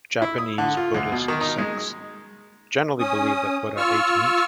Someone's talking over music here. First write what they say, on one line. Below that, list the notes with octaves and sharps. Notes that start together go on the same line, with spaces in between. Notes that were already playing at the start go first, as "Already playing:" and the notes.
Japanese Buddhist sects generally believe that Buddha ate meat.
E4
D#6
D3
F4
D2
B2
D#3
D#4
G#3
C#4 D#6
F4 C#6 E6 F6